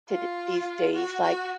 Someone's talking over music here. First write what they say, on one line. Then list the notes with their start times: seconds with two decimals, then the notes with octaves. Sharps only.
to d these days? Like,
0.09 F4
0.94 F#4
1.22 F#4